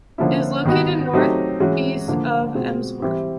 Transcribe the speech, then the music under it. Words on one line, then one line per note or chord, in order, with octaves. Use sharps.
It is located north east of Emsworth.
D3 F3 A#3 C#4 E4
D#3 G3 B3 D#4 F#4
F#3 A3 C4 D#4 G4
E3 G#3 C#4 F#4
D3 F3 A#3 D4
B2 G#3 C4 F4
E3 G3 C4 E4 G4